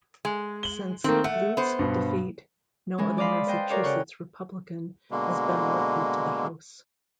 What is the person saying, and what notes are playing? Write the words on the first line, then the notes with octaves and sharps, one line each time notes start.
Since Blute's defeat, no other Massachusetts Republican has been elected to the House.
G#3
F#7 G7
D#3 A3 A#3 C4
A3 F#5
B3 C5
G2 B2
E3 G#3 C#4
D5 D#5 F5 B5 C6
B4 C5 D#5 G5 A5 C6
F#4 A4 A#4 C#5 D5 F5
C#3 F#5 G5 C#6
B2 D3 G#3 A#3